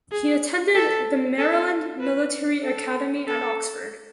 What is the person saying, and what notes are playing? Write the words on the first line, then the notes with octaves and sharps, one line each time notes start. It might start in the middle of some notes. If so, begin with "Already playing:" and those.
He attended the Maryland Military Academy at Oxford.
G#4
A4
A4
B4
A4
A4